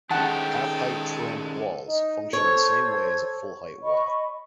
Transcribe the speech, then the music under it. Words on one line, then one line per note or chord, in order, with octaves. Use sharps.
Half-height Trombe walls function in the same way as a full height wall.
D#3 G#3 C#4 A4 F#5 G5 A5
D#4
A4 C5 C#5 G#6
D#5 B5 C#6